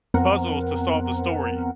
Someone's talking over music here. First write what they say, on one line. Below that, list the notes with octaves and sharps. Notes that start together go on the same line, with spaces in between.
puzzles to solve the story.
F2 B3 C4 A#4 F#5